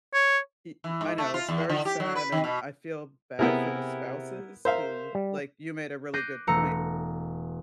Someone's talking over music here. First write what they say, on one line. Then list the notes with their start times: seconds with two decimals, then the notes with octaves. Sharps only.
I i I know it's very sad and I feel bad for the spouses who, like You made a really good point.
0.14 C#5
0.84 E3
1.01 G#2
1.18 A3
1.34 F4
1.48 E2
1.69 D3
1.85 G4
2.00 F#3
2.15 B4
2.32 D#3
2.44 B2
3.39 C3 B3 E4 G#4 A#4
4.65 A#4 C5 E5 F5
5.15 G3
6.14 D6 F#6 G6 A#6 C7 D#7
6.47 E1 A3 E4 A#5 C#7